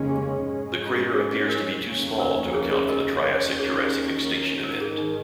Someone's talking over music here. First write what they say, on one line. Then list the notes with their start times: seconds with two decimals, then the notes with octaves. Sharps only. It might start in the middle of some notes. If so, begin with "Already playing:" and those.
The crater appears to be too small to account for the Triassic-Jurassic extinction event.
Already playing: F1 D#2 C#3 G#3 C#4
0.09 G#4
0.44 G#2 G#3 C#4
1.14 G#4 C#5
1.49 A#4
1.84 F1 D#2 C#3 A#3 C#4
2.20 A#4
2.54 G#4 C#5
2.71 G#4 C#5
2.89 A#4 D#5
3.23 D#2 D#3 C#4
3.58 G#4 C#5
4.63 G#1 G#2 D#3 A#4
4.81 G#4
4.98 D#4